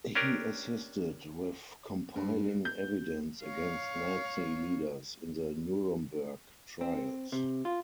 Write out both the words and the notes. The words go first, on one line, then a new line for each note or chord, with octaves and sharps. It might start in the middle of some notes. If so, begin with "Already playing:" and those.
He assisted with compiling evidence against Nazi leaders in the Nuremberg trials.
C#4 D4 G4 A#4
G2
G6
C#5 F5
C4
C3
F4